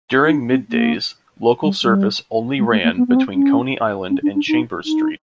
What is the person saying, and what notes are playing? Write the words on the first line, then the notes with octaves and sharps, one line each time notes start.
During middays, local service only ran between Coney Island and Chambers Street.
D#4
D4
C4
A#3
G3
G3
G#3
A3
A#3
B3
B3
C4
C#4
C#4
D4
D4
D#4
D#4